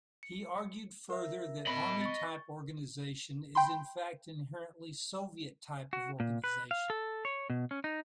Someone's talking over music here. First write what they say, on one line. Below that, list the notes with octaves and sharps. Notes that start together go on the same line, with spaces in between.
He argued further that "army-type organization is in fact inherently Soviet type of organization".
C#7
A#4 E5
D#5 B5
C#6 A6
G5 B5 C6
F#4
A#2
B4
F5
A4
C#5
B2
C#4
D#4